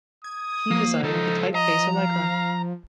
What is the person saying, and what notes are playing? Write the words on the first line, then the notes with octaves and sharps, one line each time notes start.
He designed the typeface Allegra.
D#6 G#6
F3 A#3
C#2 D#4 A4
D#5 A#5
F5